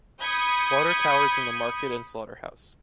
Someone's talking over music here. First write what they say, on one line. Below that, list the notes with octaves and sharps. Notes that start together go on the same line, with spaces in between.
Water towers in the market and slaughterhouse.
B5 D#6 G6 G#6 C#7